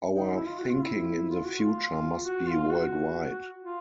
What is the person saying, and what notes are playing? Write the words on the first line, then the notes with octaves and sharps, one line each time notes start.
Our thinking in the future must be world-wide.
D#4
E4
F4
F#4
F4
E4
F4
F#4
F4
F#4
F4
F#4
F4